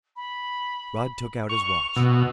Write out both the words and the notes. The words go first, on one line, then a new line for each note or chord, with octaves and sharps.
Rod took out his watch.
B5
C#6 F7
B2 E6